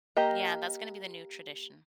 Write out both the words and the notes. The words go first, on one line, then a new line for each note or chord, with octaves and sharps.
Yeah, that's gonna be the new tradition.
A#3 G4 D#5 A#5